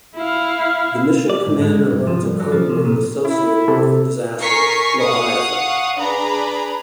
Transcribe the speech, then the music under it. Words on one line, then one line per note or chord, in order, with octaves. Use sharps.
The mission commander learns a codeword associated with the disaster: Leviathan.
E4 F5
D5
G#2
G#3
B1
G2
F3
G2
F#3
F3
C3
A#2
E4
C3 A4
A#4 G#5 C#6 B6 C7
F5 F#5 C#6 D#6
D4 G#4 B4 A#5 B5